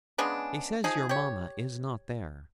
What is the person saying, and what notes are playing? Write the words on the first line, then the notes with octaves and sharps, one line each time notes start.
He says your mamma is not there.'
C#3 G#3 B3 D4
F3 D#4 G#4
G4 C#5